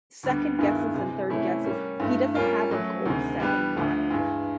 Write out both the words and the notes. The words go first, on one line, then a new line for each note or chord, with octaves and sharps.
second-guesses and third-guesses. He doesn't have a goal set in mind,
D2 D3 G3 B3
G2 D#3 G#3 B3 E4
C3 E3 G#3
C3 E3 A3 C#4 E4
G3 A#3 C#4
G2 E3 A3
G3 A#3 C#4 F4 A#4
F#3 A3 C#4
D2 C3 D#3 G#3
G3 B3 D4 G4 B4
D2 D3 F3 A3
G2 E3 G#3